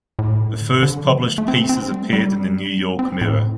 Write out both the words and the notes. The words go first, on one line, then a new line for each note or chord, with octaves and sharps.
Her first published pieces appeared in the "New York Mirror".
A2
D3
D3
F3
A3
A3
C4
C4
G3
A3
G3
C4
C4
A2